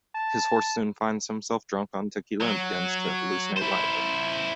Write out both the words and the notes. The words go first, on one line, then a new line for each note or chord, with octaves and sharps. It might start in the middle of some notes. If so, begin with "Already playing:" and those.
His horse soon finds himself drunk on tequila and begins to hallucinate wildly.
A5
F#3
E4 C5